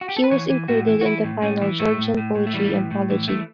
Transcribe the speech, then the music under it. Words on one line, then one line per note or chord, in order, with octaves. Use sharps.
He was included in the final "Georgian Poetry" anthology.
F#4
G4
A4
B4
E3 C#5
E3
A2 F#4
E3
F#4
E3 E4
A2
A2 C#4
E3
A2 A3
A2
A2
A2
A3
E3 G3
A2
A2
E3
E3 A3